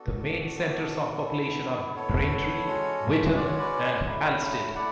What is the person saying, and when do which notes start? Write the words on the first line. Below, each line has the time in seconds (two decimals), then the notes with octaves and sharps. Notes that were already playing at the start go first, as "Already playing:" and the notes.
The main centres of population are Braintree, Witham and Halstead.
Already playing: B3 D4 F#4 A4
0.56 B3 D4 F#4
1.26 B3 E4
1.96 B3 E4 A4 C#5
2.66 G#3 C#4 F#4
3.35 G#3 C#4 F#4 D5
3.47 C#5
3.59 B4 D5
4.05 F#3 A3 E4
4.75 A3 E4 D5 F#5